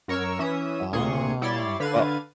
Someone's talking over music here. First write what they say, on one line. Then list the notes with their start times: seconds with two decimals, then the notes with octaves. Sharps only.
Oh, well
0.08 F#2 A#4 C#5 C#6 E6
0.39 E3 C#4 E5 D#6
0.93 D2 A#2 G#4 C6 C#6 D#6
1.42 G3 E4 C#5 D5 C6 A6
1.80 D3 B4 F5 G#6 A6 D#7